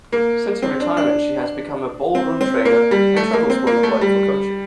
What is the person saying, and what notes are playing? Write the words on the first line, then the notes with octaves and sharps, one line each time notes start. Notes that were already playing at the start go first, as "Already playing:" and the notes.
Since her retirement, she has become a ballroom trainer, and travels worldwide for coaching.
A#3
C4
D4
D4
C4
C4
A#3
G3
A3
A#3
C4
A#3
A3
G3